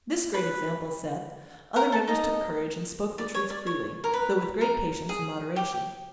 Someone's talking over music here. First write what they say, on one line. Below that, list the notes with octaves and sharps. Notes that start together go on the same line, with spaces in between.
This great example set, other members took courage and spoke the truth freely, though with great patience and moderation.
B4 B5
A#4 A#5
A4 A5
D#4 D#5
D5
C#5
D5
C#5
A#4
B4
A#4
G#4
G4